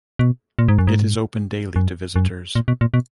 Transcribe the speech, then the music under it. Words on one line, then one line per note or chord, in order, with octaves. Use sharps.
It is open daily to visitors.
B2
A#2
G#2
F#2
G#2
F#2
F#2
A#2
B2
A#2
B2